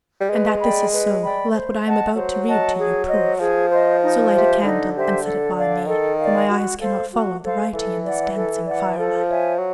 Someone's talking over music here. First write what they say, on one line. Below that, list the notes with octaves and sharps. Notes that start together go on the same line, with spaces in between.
And that this is so let what I am about to read to you prove; so light a candle and set it by me, for my eyes cannot follow the writing in this dancing firelight.'
G3
G#3 B4
D5 G5 B5
B4
D5 G5 B5
C5
D#5 F#5 A5
F#3 C5
D#5 F#5 A5
G#4
C5 D#5
F3 G#4
C5 D#5
D#4
G4 C5 E5
D3 D#4
G4 C5 E5
A4
D5 F5
D#3 A4
D5 F5
F#4
A4 C5 F5
F#4
A4 C5 F5
E3 A4
D5 F#5
A4
D5 F#5
F3 A4
C#5 E5 G#5
F#3